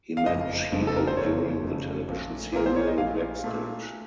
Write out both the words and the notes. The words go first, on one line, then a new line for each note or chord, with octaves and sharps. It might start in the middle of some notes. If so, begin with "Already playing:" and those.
He met Tshepo during the television serial "Backstage".
F5
F#1 F2 C#3 A3 D#5
F#1 F2 C#3 A3
A4
A#4
C5
F#1 F2 C#3 A3 C#5
F#1 F2 C#3 A3
A#1 A#2 A3
A#1 A#2 A3 A#4
C5
C#5
D#5
A#1 A#2 A3 F5
A#2 A3